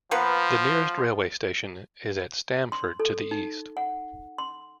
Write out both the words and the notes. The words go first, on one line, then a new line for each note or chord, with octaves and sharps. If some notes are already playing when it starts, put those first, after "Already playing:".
The nearest railway station is at Stamford to the east.
F3 A#3 B3 B4
C6
A4
D#4
F#5
C6